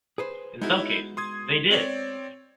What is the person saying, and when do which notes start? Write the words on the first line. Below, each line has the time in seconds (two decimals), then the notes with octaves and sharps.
In some cases, they did!
0.18 G#4 B4 C5
0.61 G#3 B3 D#4 E4 F#4
1.17 C6 D#6 G#6
1.71 C4 C#5 D5